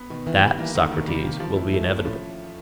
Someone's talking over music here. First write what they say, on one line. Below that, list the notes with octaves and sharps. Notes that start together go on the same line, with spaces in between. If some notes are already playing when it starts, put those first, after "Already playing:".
That, Socrates, will be inevitable.
Already playing: B3
B2 D#3
D#3 E3
G3
E3 A#3
D3 D#3
B2 D#3
C3 G3
A#3
F3
A2 E4
G#2 A3
A2 C#4
A#2
A2 F3